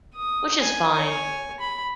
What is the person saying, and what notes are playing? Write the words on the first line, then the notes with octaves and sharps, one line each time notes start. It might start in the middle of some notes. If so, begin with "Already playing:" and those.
Which is fine.
D#6
G#5
C#5 G#5
B5